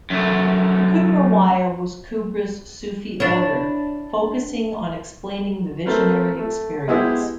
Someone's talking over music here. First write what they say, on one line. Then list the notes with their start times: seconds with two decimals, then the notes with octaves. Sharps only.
The Kubrawiya was Kubra's Sufi order, focusing on explaining the visionary experience.
0.10 F#2 A3
3.20 D4 E4 C#5
5.86 A3 C4 A#4 B4
6.37 A3
6.88 G#3 B3 E4 G4 C5